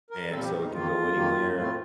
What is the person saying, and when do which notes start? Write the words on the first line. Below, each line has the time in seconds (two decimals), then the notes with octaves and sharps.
And so, it can go anywhere
0.10 A#4
0.31 A#2 G3 C4 A4
0.42 G4
0.63 D#4
0.73 F2 D#3 A#3 F4
1.15 F2 D#3 A#3
1.56 A2 A3 C4 F4